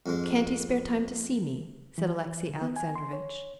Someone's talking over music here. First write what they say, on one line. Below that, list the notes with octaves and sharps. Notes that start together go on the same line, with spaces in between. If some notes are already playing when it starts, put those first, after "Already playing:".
"Can't he spare time to see me?" said Alexey Alexandrovitch.
F2 G#2 G#3
E3
D3
B3
G#5
C6
C#5